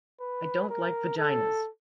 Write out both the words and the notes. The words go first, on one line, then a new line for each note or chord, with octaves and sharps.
I don't like vaginas!
B4
A#4
A4